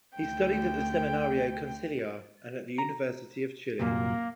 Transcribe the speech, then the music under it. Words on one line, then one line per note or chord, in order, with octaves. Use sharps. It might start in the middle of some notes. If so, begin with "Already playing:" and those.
He studied at the Seminario Conciliar and at the University of Chile.
D2 G5
A#5
C2 F#2 A#2 A#3